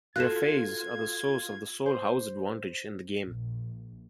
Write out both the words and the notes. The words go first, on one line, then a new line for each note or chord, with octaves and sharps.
Refaits are the source of the sole house advantage in the game.
F4 F#4 A4 F#6 G#6 E7
C5
A#1